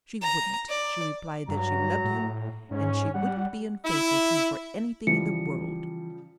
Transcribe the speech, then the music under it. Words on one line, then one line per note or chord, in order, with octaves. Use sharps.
She wouldn't; she replied that she loved you, and she wouldn't be unfaithful to you for anything in the world.
A#5
D5
G2 F#3 A#5
A2
G#2 C#4
G3 F#5
E4
C#3 E3 F3 G3 C#7